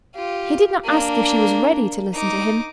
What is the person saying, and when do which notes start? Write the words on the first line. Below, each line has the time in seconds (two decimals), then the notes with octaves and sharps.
He did not ask if she was ready to listen to him.
0.15 F4 G4
0.84 A#3 D4
2.14 D#4 D6